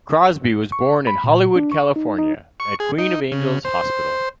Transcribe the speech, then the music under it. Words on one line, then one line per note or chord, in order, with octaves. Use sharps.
Crosby was born in Hollywood, California, at Queen of Angels Hospital.
C#6
B5
A#2
D4
C#6
D#4
D#4
C#6
G#4
D#4
C#3
C5